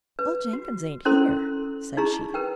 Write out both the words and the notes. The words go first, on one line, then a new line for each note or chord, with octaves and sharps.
"Old Jenkins ain't here," said she.
B4
F#4
C#4 E4 A4 A#4 C5 C6
D#4 E4 G#4 A#5 C#6
A#4 B4 G5